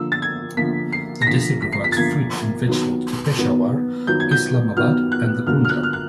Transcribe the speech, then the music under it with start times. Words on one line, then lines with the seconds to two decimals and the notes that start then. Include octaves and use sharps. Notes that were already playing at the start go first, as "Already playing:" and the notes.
The district provides fruit and vegetables to Peshawar, Islamabad, and the Punjab.
Already playing: D3 F3 A#3 E6
0.12 A6
0.22 G#6
0.57 D3 F3 A#3 B6
0.92 C7
1.22 A#6
1.27 D3 F3 A#3 B6
1.62 B6
1.72 C7
1.84 B6
1.92 A6
1.97 D3 F3 A#3 G#6
2.67 D#3 F#3 B3
3.37 D#3 F#3 B3
4.07 D#3 F#3 B3 G6
4.20 G#6
4.31 G6
4.76 D#3 F#3 B3 F6
5.12 F#6
5.47 D3 F#3 A#3 F6
5.65 F6
5.69 F#6
5.83 F6
5.93 F#6